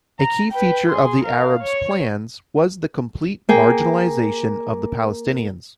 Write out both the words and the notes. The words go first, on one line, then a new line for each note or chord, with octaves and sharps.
A key feature of the Arabs' plans was the complete marginalization of the Palestinians...
A#5
B4 G5
G#4 C6
A#4 F5
C#5
A#3 G#4 G5